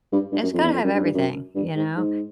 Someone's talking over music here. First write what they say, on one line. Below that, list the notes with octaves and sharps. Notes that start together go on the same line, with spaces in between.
it's gotta have everything, you know,
G2
G2
F#2
F2
E2
F2
F#2
G2
G2
F#2
G2
G#2
G#2